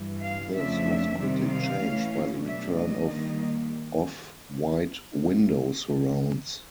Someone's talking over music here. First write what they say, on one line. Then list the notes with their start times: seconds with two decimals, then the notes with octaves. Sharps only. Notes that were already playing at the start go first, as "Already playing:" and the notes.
This was quickly changed by the return of off-white window surrounds.
Already playing: G2 E3 G3
0.22 F5
0.54 F2 C#3 F3 A3 D4 E5
1.18 C3 D#3 G3
1.50 F5
1.82 A2 E3 A3 C#4
2.45 B2 F#3 A3 D4 E5
2.76 D#5
3.09 D#3 G3 A#3